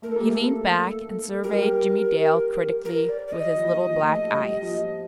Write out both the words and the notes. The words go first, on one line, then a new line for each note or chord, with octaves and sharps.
He leaned back and surveyed Jimmie Dale critically with his little black eyes.
A3 A#4
A4
A#3 G4
A3 A4
G3 A#4
A#4
D5
D5
D#5
F3
F3
A3
G3
F3